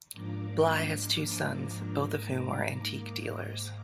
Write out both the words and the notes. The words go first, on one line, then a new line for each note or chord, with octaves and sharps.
Bly has two sons, both of whom are antique dealers.
G#2 F3 A#3 D4 A#5 D6
G#2 D#3 A#3